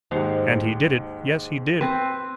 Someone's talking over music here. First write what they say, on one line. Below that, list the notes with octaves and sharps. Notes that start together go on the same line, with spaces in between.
And he did it; yes, he did!
D#2 G#2 D#4 F#4 C5
C4 B4